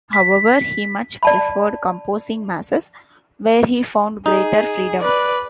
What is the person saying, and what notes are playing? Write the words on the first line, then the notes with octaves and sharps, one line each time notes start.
However, he much preferred composing Masses, where he found greater freedom.
B6
D5 A5 B5
D#4 G#4
B4 D5